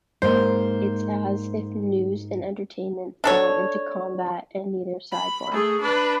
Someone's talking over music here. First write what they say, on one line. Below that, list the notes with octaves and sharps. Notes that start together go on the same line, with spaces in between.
It's as if news and entertainment fell into combat and neither side won.
G#2 A#3 C5
D4 A4 C#5
B5
A3 G#4
D4 B4